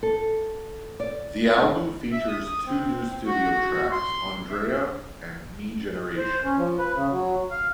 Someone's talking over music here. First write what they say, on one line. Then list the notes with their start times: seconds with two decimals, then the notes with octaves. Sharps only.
The album features two new studio tracks: "Andrea" and "Me Generation".
0.03 A4
1.00 D5
2.12 E5
2.28 D#6
2.66 C4
3.26 F#4
3.92 C6
4.50 E5
6.18 C5
6.44 C#4
6.57 F3
6.79 B4
6.94 C#3
7.10 F#3
7.51 F5